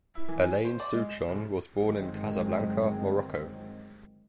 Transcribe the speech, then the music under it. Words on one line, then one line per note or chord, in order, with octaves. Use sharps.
Alain Souchon was born in Casablanca, Morocco.
E4
E3
G#5
C5
D5
G#3
E7
F1
G1 D#3 F#3 G#3 C4